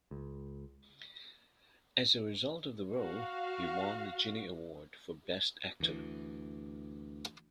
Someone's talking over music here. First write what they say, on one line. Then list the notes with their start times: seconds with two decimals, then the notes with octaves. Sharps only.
As a result of the role, he won the Genie Award for Best Actor.
0.11 C#2
2.98 F#4 F5
5.80 D2 E3